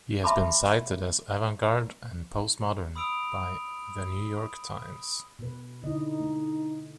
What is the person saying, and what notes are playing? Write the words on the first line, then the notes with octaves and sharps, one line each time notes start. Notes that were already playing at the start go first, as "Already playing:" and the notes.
He has been cited as avant garde and postmodern by "The New York Times".
E5 A5 B5 C6 D6
B5 D#6 E6 D7 F7
B2 B4
D3 D#4 E4 D#5
A3